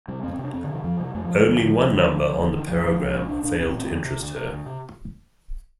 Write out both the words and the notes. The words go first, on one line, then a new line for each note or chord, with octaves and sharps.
Only one number on the program failed to interest her.
C3 G3
F2 C4
C4
C3
D4
F2 C4
D3
C3
D#3
F2 F3
C3 G3
F2 A3
C3 F3
D#3
D2 F3
D3 F3
D2
D3
D2
D3
D2
D3 D#3
C2 F3
A#2
C2
A#2
C2 D4
A#2 D4
C2 C4
C4
A#2
C4
D2
C3
D2
C3
D2
C3